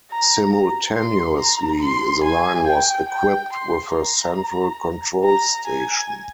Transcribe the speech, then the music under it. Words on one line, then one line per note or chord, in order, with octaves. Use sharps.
Simultaneously, the line was equipped with a central control station.
A#5
A#5
C6
A#5
C6
G#5
G5
G5
C6
A#5
A#5
G#5